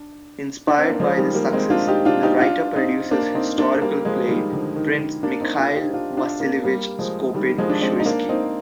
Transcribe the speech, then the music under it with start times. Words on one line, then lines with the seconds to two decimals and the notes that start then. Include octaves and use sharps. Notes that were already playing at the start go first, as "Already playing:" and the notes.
Inspired by this success, the writer produces historical play "Prince Mikhail Vasilievich Skopin-Shuysky".
Already playing: D4
0.67 D4
0.79 C4
0.89 A#3
1.00 F3 G#3
1.17 D#3 G3
1.34 G3 A#3
1.53 G#3 C4
1.70 D4 F4
1.88 D#4 G4
2.05 D4 F4
2.23 D#4 G4
2.40 D4 F4
2.76 C4 D#4
3.11 A#3 D4
3.35 C4 D#4
3.58 A#3 D4
3.82 G3 A#3
4.05 F3 G#3
4.28 D#3 G3
4.53 D3 F3
4.76 D#3
4.99 D#3
5.23 A#3 D4
5.41 C4 D#4
5.58 D4 F4
5.75 D#4 G4
5.93 D4 F4
6.17 D4 F4
6.40 A#3 D4
6.64 G3 A#3
6.99 F3 G#3
7.34 D#3 G3
7.58 F3 G#3
7.70 D4
7.82 G#3 C4
8.00 D#4
8.06 A#3 D4
8.29 C4 D#4